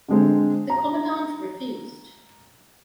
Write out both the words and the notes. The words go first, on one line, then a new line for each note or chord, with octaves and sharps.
The commandant refused.
D3 G#3 C4
A#5